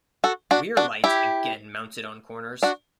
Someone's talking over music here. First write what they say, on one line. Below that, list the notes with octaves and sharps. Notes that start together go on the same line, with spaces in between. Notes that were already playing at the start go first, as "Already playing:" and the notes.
Rear lights again mounted on corners.
F#4 A4
D4 F#4
D4 F#4
E4 G4
D4 F#4